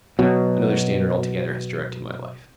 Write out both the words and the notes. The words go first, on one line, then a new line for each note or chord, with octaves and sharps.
Another standard altogether has directed my life....
B2 F#3